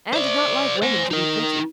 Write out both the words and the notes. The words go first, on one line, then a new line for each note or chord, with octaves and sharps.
Anne did not like women to be pretty.
C5 D5
C5 G#5
D#4 A#4